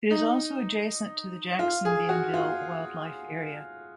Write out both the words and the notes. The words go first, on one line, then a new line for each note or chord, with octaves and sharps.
It is also adjacent to the Jackson Bienville Wildlife Area.
D#4
F4
G#4
F#4
F4